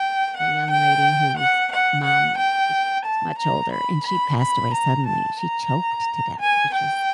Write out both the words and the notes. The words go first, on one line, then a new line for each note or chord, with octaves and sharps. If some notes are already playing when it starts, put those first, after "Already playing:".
a young lady whose mom is much older and she passed away suddenly. She choked to death, which was
Already playing: G5
F#5
G5
F#5
F#5
F#5
G5
A5
A#5
B5
B5
B5
A#5
A5
A#5
G#5
G5